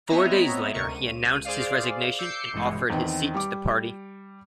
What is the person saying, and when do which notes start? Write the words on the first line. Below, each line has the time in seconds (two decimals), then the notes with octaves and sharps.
Four days later he announced his resignation and offered his seat to the party.
0.08 B3 C4 C#5 D#5 E5 A#5
0.73 D2 C3 A#4 C#6
0.87 C#2 D#7
1.45 G#4 C5 D5 F5
2.18 D6 E6 G6 C7 C#7
2.53 A1 G2 B2 E3 G#3
2.90 E2 D#3 C4
3.35 G3 D6